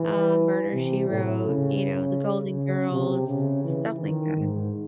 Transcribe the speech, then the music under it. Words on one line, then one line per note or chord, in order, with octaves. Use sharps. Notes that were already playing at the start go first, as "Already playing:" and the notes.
uh, Murder She Wrote, you know, The Golden Girls, stuff like that.
Already playing: E3
C3
A2
C#3
C#3
C3
C#3
E3
D#3
G#2